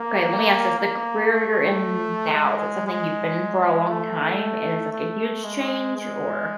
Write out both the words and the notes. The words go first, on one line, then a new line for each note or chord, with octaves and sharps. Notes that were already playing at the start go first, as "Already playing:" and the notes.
okay, let me ask this, the career you're in now, is it something you've been in for a long time and it's, like, a huge change? Or
Already playing: A#3
A#3
A3
G#3
G#3
A3
A3
G#3
G#3